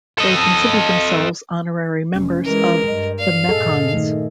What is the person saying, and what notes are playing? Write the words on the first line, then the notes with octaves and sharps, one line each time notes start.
They consider themselves honorary members of The Mekons.
A4 D#5
F1 C#4
E3 G#3 A#4
G2 D#5
D5 F5
G2 A#2 G#4 A4 D#5
D#3 A3